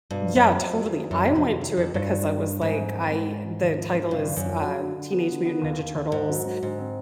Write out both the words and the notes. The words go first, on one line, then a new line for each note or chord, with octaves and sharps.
Yeah, totally. I went to it because I was like, I the title is, uh, Teenage Mutant Ninja Turtles
G2 B2
F#3
F#2
F#3
F2 F#3
F#3
E2
D#3
F#2 F#3
C3
F2
D#3
E2 F#3
F2 D3
G2 F#3
F#3
F#3
E4
G#2 E3
F2
F2
G#3
G#3
E3
D#2
F3
F3
G2 C#3
D#2
F#2
F3
F#3
D3
D3
B3
D3
B3
D#2
D#2
D#2
D#2 G#2
F#3
F#3
G#2 D3
C4